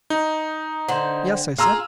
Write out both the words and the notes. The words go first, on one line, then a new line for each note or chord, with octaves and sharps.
"Yes," I said.
D#4
D3 C4
F4 G#4 F5 A#5 E6